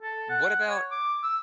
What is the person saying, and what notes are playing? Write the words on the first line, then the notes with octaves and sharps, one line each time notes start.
what about,
A4
F#5
C#5
D6
E6